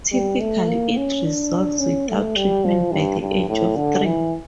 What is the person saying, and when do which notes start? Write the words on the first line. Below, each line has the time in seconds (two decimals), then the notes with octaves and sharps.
Typically, it resolves without treatment by the age of three.
0.12 G3
0.40 A3
0.68 A#3
0.96 C#4
1.24 D4
1.80 C#4
2.09 A3
2.36 G3
2.65 F3
2.92 G2
3.21 G2
3.49 A2
3.76 D3
4.05 E3